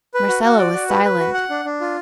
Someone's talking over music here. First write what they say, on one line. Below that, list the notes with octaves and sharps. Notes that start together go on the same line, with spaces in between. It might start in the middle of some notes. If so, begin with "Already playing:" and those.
Marcella was silent.
B4
F#4
F#4
D5
F#4
B4
B4
F#4
F#5
D4
D4
F4